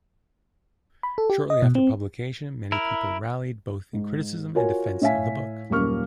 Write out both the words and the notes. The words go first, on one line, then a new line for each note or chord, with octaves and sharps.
Shortly after publication, many people rallied both in criticism and defense of the book.
B5
A4
G4
D#5
B2
C4
E4 A#4
G#2
F4 F#4 A#4 C#5 G#5
A2 C#5 E5 F5 G#5 B6
D#1 F#2 A#3 C#6 F6